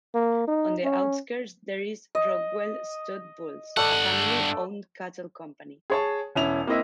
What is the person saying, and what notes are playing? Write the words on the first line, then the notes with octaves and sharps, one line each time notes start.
On the outskirts there is "Rockwell Stud Bulls," a family owned cattle company.
A#3
D#4
C#4
D#5
G2 A3 D5 F#5
G#4 C#5 A5
E1 C#4 E4 F7
A#3 C4 E4 D#5 E5